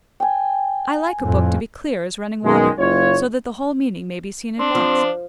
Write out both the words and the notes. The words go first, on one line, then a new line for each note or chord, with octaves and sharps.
"I like a book to be clear as running water, so that the whole meaning may be seen at once."
G5 G#5
F2 A2
F#2 B2 D#3 G#3
F#1 F4 C#5
C4 D4
F3